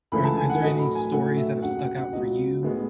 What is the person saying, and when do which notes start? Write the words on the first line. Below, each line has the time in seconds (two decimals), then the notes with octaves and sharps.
Are is there any stories that have stuck out for you
0.12 C#2 C#3 E3 A3 B5
0.24 A5
0.37 G#5
0.50 F#5
0.62 A2 F#3 A3 D#5
0.79 B5
0.95 G#5
1.12 A2 F#3 A3 F#5
1.37 E5
1.62 D#2 C#3 F#3 F#5
1.79 F#5
1.96 F#5
2.12 C#2 B2 F#3 D#5
2.63 A2 G#3 B3